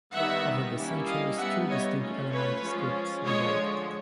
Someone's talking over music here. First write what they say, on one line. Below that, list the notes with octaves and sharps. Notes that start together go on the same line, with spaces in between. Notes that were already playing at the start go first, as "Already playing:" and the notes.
Over the centuries, three distinct Elamite scripts developed.
D#3 G3 B3 D#4 E5 F#5
G3 A#3 C#4 E4
D#5 F5
G3 B3 D#4 E5 F#5
C#5 D#5
A3 C#4 F4
B4 C#5
F3 G#3 C#4 F4
D3 F3 G#3 C#5 D#5